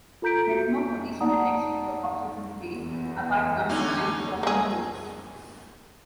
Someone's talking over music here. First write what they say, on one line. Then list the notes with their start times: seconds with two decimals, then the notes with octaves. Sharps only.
There is no collision detection for objects in space, apart from defined docking ports.
0.22 F4 A4 A#5 G6 B6 D7
0.50 F#4
1.21 D#4 D5 F#5 A5 A#5 D#6
2.78 E2
3.69 D3 C#4 D#4
4.43 A#3 G#4